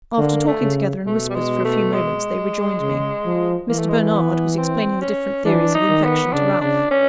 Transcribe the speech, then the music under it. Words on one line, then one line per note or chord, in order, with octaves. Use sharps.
After talking together in whispers for a few moments, they rejoined me. Mr. Bernard was explaining the different theories of infection to Ralph.
D3 A#3
A3
C#3
B2 A3
G3
G#3
A3
G#3
C#3
F3
E3 A#3
A3
G#3
A3
B3
C4
C#4
E3 D4
D#4
D#3
B3
C#3 D4
C#3 D4
C#4